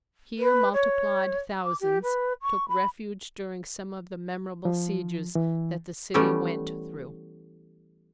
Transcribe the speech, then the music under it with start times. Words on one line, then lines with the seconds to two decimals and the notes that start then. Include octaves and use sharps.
Here multiplied thousands took refuge during some of the memorable sieges that the city went through.
0.39 B4
0.74 C#5
1.64 D6
1.81 G4
2.03 B4
2.43 C#6
2.69 B5
4.65 F3
5.35 E3
6.14 E3 G3 A3 B3 C#4 A4